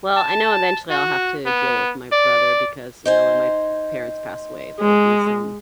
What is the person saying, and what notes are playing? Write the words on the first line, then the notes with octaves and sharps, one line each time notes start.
Well, I know eventually I'll have to deal with my brother because, you know, when my parents pass away, there will be some
A5
F#4
B3
D5
D#4 C5 G#5
G#3